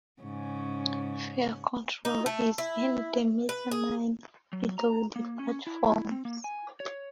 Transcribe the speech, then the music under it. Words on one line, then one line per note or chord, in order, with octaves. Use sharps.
Fare control is in the mezzanine below the platforms.
G#2 C#3 C#4
D#4
A3
E4
B4
G#4
F#3
A#5
A#3
C#4
E4
C4
A#3
G#5
C#5